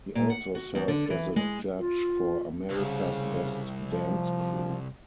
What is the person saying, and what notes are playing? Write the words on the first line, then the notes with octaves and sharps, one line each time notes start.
He also served as a judge for "America's Best Dance Crew".
A#2
F#5
F#4
E2
D3
E3
G#3
F4
C2 C#3
F3